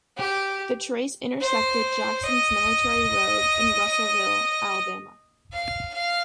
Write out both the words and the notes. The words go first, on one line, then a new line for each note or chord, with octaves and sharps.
The trace intersected Jackson's Military Road in Russellville, Alabama.
G4
C5
D#5
F5
F5